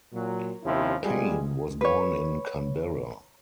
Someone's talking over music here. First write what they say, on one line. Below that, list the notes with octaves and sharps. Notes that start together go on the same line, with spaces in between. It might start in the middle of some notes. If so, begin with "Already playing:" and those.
Payne was born in Canberra.
A#2 F#3
D#2 C3 F3 C#4 E4
G3 G#3 B3 F4 G#4
B4 C#5